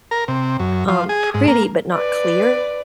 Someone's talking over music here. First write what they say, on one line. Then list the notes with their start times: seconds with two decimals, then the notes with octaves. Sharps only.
um, pretty but not clear,
0.11 A#4
0.28 C3
0.60 F#2
0.88 F3
1.09 G#4
1.34 G#2
1.48 A#3
1.93 B4 D5